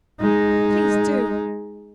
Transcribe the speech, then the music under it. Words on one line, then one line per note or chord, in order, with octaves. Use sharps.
Please do.
G#3 D#4